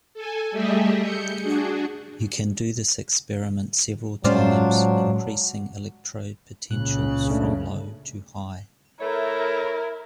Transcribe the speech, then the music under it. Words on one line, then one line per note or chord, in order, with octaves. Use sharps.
You can do this experiment several times increasing electrode potentials from low to high.
A4 G#5
G3 A3 G4 G#4 D#5 E5
G6 C#7
D4 F#4 G#4
A2 F#3 G#3 C#4 D4 F4 C5
C#2 A#2 C#3 F#6
A#2 A3 D4
A3 E4 A#4 C#5